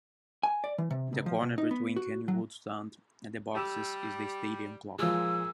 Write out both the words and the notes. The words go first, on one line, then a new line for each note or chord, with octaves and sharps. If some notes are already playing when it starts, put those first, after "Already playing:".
In the corner between the Kenilworth Stand and the boxes is the stadium clock.
G#5
D5
E3
C3
C#2
F3
B2
D#4
B3
F#4
F#3
G3 G4 E6 E7
A#2 F3 G#3 G#4 E6